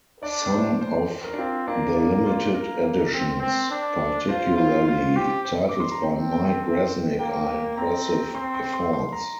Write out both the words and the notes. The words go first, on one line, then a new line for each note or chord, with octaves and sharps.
Some of the limited editions, particularly titles by Mike Resnick, are impressive efforts.
D4 D5
C5
C5
A#4
D4
C4 F4
A#3 D4
D4
F4
A#3 A#4
C4
C4
D4
F4 C5
F4 C5
F4 C5
G4
C5
D6
C6
A#5
C4 G5
G5
A#3 G5
C4 A#5
A#5
C4 C6
C6
C6
C6
A#5